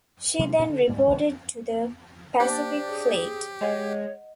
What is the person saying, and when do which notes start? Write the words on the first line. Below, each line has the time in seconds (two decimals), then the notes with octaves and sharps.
She then reported to the Pacific Fleet.
0.39 C3 F#3 G#3 A#3
0.58 G2 A#2 D4
0.69 D3
0.88 D2 G#2 G3
1.07 G#1 D#2 D3 E3
2.40 A#3 D4 G4 C5
2.88 G#4 C#5
3.61 G#3 C#5 D#5 F#5